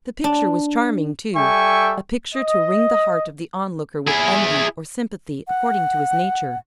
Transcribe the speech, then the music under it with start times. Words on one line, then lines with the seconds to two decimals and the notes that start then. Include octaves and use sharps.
The picture was charming, too--a picture to wring the heart of the onlooker with envy, or sympathy, according to his nature.
0.24 D4
1.36 G3 A4 E5 G5 G#5 C#6
2.35 D#5
4.07 E4 G#4
5.48 F#5